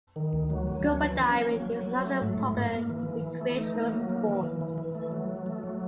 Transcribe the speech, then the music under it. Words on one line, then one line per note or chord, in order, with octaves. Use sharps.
Scuba diving is another popular recreational sport.
D#3
D2
F#3
F#3
C#4
E3
C#4
A#3
F#3
F#3
F#3
A3
G#2
G#2
A#3
A#3
E3
E3
E3
A3
D#4
A#3
F#3
A#3
E3
E3
E3
E3
A3
F#3
F#3
A3
F#3